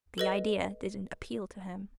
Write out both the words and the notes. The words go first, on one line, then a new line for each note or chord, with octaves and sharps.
The idea didn't appeal to him.
A4 B4 D#5